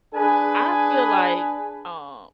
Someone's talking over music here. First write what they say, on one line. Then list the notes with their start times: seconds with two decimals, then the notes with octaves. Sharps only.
I feel like, uh,
0.14 D4 G#4 B4 G#5